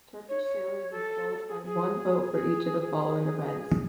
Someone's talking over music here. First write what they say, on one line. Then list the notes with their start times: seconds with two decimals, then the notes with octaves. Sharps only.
Turkish sailors have qualified one boat for each of the following events.
0.29 C#5
0.44 C#5
0.91 A4
1.38 A4
1.48 G#4
1.65 G#4
2.32 G#4
2.80 G#4